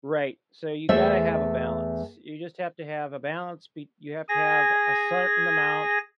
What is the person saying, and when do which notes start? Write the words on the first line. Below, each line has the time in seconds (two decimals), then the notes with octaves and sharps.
Right. So you gotta have a balance. You just have to have a balance b you have to have a certain amount
0.89 E2 A3 C5 E5
4.29 G#4 G#5 A#6